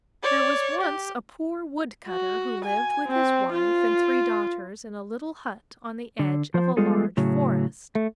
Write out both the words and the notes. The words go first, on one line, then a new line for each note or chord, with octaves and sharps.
THERE was once a poor Woodcutter who lived with his Wife and three Daughters in a little hut on the edge of a large forest.
C#5 D5
G4
F#4
G#5
C4
F4
D3
F3 C5
G3 G#3 B3 F4 G#4 A4
A2 C#3 F#3
A3